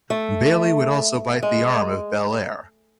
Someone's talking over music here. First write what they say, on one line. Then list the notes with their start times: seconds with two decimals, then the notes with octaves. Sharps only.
Bayley would also bite the arm of Belair.
0.10 A3
1.43 G#3